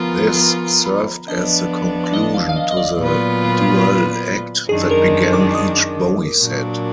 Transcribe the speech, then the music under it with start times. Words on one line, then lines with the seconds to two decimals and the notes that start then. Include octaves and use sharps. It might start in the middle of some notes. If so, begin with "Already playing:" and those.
This served as the conclusion to the dual act that began each Bowie set.
Already playing: F3 B3 F4 A#4 G#5
0.43 A#5
0.85 B5
1.28 F3 B3 D4 D#5
2.06 D5
2.13 D#5
2.34 F5
2.49 F5
2.56 D#5
2.71 D#5
2.77 D5
2.98 A#2 F#3 B3 F4 B4
4.69 F#2 D#3 G#3 D4 G#4
4.91 A#4
5.33 D6
5.54 D#6
6.40 A#2 F#3 D4